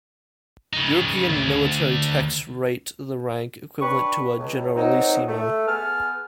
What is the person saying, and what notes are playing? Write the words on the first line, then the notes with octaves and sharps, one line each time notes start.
European military texts rate the rank equivalent to a "generalissimo".
C#3 D#4
D2
D4 G4 B4 C#6
C#2
C#2 F#3 C4 D#4
A3
B3 G#4 A5 F6